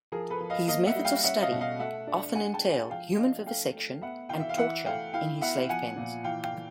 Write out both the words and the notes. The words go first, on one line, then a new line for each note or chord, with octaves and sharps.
His methods of study often entail human vivisection and torture in his slave pens.
F3 G#4 A#4
A4 B4
F3
D#5 F5
A#3 D#5 F5
E5 F#5
G3
F5 G5
C#4 E5 F#5
D#5 F5
B2
D#5 F5
A3 E5 F#5
D4
G#3 F#5 G#5
G5 A5
G#3
F#5 G#5
F3 F5 G5
D4 D#5 F5
A3 F5 G5
A3
B3 E5 F#5
E3 F5 G5
E5
F5
E3 E5 F#5
A3 F5 G5
E4 F5 G5
B3 E5 F#5
F3 F#5 G#5
A#2
E3 F5 G5
F5 G5
E3